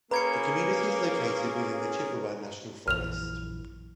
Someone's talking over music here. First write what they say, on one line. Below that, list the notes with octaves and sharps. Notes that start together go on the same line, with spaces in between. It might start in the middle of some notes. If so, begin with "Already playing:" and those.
The community is located within the Chippewa National Forest.
A#3 C#4 G#4 A#4 B4 A#5 G#6 C#7
A#1 F#2 E3 F6 F7